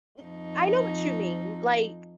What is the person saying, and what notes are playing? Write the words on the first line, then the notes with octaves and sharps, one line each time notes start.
n I know what you mean, like
F2 F3 D#4